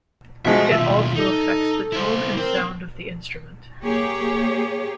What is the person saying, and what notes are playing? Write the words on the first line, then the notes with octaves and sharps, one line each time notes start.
It also affects the tone and sound of the instrument.
B2 F3 G#3 E5 A5
D#2 B2 F4 E5
D#4 A4
E4 C5
C4 A#4 C5
A#3 G4 G#4 C#5